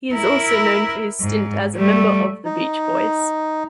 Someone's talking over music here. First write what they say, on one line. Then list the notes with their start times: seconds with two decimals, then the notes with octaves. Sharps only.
He is also known for his stint as a member of The Beach Boys.
0.14 E4 A#4
1.21 G#2
1.76 G3 A3
2.45 D#4